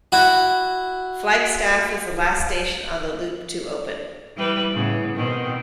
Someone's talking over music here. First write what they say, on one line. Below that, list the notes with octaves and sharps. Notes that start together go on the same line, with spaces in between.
Flagstaff was the last station on the loop to open.
E4 F#4
E3 G3 B4
A2 C#3 B3
B2 D#3 C4